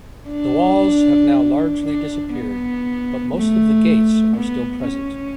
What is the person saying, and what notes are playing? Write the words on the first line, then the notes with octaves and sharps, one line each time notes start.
The walls have now largely disappeared, but most of the gates are still present.
D4
D4
B3
A3
B3
C#4